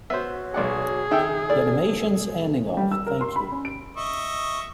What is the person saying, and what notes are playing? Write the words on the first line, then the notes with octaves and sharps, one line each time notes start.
The animation's ending of, Thank you.
B3 F#4 C5 C#5 E5
B1 G#4 D5 F#5
D#3 G4 A4 E5 G5
A#3 E4 A4 D5
G3
E6
A#4
C6
B5
C#4
D7
D#5 E5 C#6